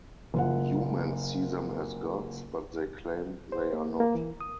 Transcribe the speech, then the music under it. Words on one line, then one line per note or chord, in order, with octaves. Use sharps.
Humans see them as gods, but they claim they are not.
F#1 F4 F#5
C5
A#3
A#3
E3
D#6